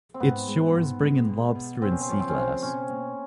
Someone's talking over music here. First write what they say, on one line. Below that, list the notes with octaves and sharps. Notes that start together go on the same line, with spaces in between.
Its shores bring in lobster and sea glass.
C4
G#2 B3
G#3
G#2
G#3
B2
B2
C#3 C4
C#4
C4
F3 C#4
C4
C#4
C#3 C4
B2 C#4
A#3